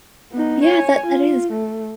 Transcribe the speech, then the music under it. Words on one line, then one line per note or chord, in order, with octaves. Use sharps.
Yeah, that that is.
B3 D#4
C#5 G#5
F4
A3